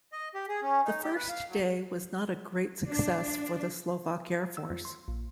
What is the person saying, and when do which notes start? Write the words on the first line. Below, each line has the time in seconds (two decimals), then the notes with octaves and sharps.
The first day was not a great success for the Slovak Air Force.
0.12 D#5
0.34 G4
0.48 G#4
0.62 C#4
0.85 D#4
1.04 G4
1.16 B4
1.29 F5
1.49 F#3
2.87 D4
4.57 E6
4.70 F2
4.85 C6
5.08 A#1